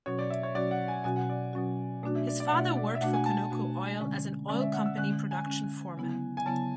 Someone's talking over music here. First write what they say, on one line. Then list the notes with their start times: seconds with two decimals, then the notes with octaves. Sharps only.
His father worked for Conoco Oil as an oil company production foreman.
0.06 B2 F#3 C#4 F#4 C#5
0.19 D5
0.30 E5
0.43 C#5
0.55 B2 F#3 C#4 F#4 D5
0.71 F#5
0.88 G#5
1.04 B2 F#3 C#4 F#4 G#5
1.16 F#5
1.29 D5
1.53 B2 F#3 C#4 F#4
2.03 B2 A3 D4 F#4 D5
2.15 E5
2.27 D5
2.40 D5
2.47 F#5
2.52 B2 A3 D4 F#4 E5
2.77 D5
2.95 E5
3.01 B2 A3 D4 F#4 F#5
3.13 G#5
3.26 A5
3.51 B2 A3 D4 F#4
4.00 D3 G#3 C#4
4.48 D3 G#3 C#4 D5
4.61 E5
4.73 F#5
4.86 E6
4.98 D3 G#3 C#4 F#6
5.31 G#5
5.47 D3 G#3 C#4
5.97 C#3 F#3 B3 E4
6.37 G#5
6.46 C#3 F#3 B3 E4 A5